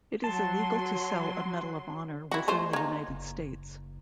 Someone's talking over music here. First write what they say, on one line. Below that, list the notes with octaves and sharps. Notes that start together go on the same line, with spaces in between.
It is illegal to sell a Medal of Honor within the United States.
F#3 A5 C6
E4 F#4
A3 F4 C5
A#3 D#4
F#1